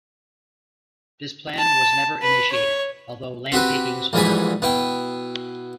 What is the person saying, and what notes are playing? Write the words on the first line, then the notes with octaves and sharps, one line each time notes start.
This plan was never initiated, although land takings occurred.
A5
B4
C#5
C4 F#4 G4 B4
A#1 G#2 E3 G3 G#5 B5
B2 E4 G5